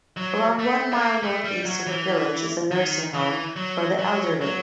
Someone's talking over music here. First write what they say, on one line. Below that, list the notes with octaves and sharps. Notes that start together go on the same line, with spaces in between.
Around one mile north-east of the village is a nursing home for the elderly.
F#3
A3
B3
A#3
A3
G3
F#3
E3
D#3
E3
F#3
F#3
F#3